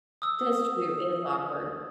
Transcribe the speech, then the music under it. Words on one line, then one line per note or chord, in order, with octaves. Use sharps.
That's true, it is awkward.
D#6 E6